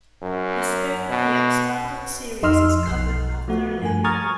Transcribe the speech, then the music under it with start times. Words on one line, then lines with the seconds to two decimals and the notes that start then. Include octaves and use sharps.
The scope of the expanded series is covered more thoroughly below.
0.22 F#2
1.10 B2
2.43 F2 D#4 D#5 C6 E6 F6
2.86 B1 C7
3.48 F3 A3 F#4
3.82 G2 G#5
4.04 A#5 C#6 D#6 F6 G#6 A6